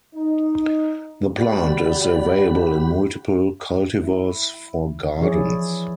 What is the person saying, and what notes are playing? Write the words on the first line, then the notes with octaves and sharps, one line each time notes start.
The plant is available in multiple cultivars for gardens.
D#4
F#4 G4 D5 B5
E4
E3 F3 E4 G#4 C#5 D5